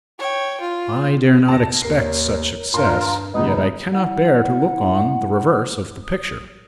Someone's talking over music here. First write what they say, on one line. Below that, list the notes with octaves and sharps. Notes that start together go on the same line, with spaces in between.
I dare not expect such success, yet I cannot bear to look on the reverse of the picture.
C#5 G5
F4
E2 A5 A#6
D#2 A#4 C7
C#5
G2 F4 A#4 A5 C6
G#1 A#2 C#3 B3 D#4 B4 D#5 D#6
E4 F#5
D#6